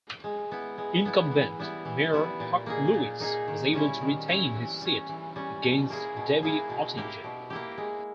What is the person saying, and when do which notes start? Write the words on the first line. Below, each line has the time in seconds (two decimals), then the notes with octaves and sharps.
Incumbent Mayor Huck Lewis was able to retain his seat against Debbie Ottinger.
0.24 G#3
0.51 B3 E4
0.78 G#3
1.05 B3 E4
1.31 E3
1.59 G3 B3 E4
1.85 E3
2.13 G3 B3 E4
2.40 A#2
2.66 A#3 D#4 G#4
2.94 A#2
3.20 A#3 D#4 G#4
3.48 D#3
3.74 G3 C#4 E4
4.01 D#3
4.28 G3 C#4 E4
4.55 E3
4.82 G3 C#4
5.09 E3
5.36 G3 C#4
5.62 B2
5.90 A#3 E4 G#4
6.16 B2
6.43 A#3 E4 G#4
6.69 B2
6.97 A#3 E4 G4
7.24 B2
7.50 A#3 E4 G4
7.78 G#3